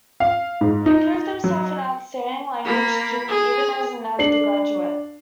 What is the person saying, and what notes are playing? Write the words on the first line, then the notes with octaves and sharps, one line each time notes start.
He proved himself an outstanding language student even as an undergraduate.
F5
G#2
D#4
F#3
A#3 B5
G#4
D4 C7 F#7